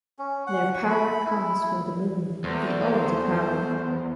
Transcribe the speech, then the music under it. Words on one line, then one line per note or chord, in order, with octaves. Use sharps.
Their Power comes from the Moon, the Old Power.
C#4
F#5
C#6
B5
E4
E2 A3 C5